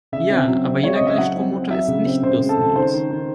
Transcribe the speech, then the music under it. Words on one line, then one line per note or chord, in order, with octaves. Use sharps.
Ja, aber jener Gleichstrommotor ist nicht bürstenlos.
C#3 E5
C4
F#3
C4
G#3 C#5
D#5
C#3
E5
F#3 F#5
C4
C4
F#3 E5
C#3
C4
C#3 C5
G#3
A4
C#3
D#3 C5
D#3
D#3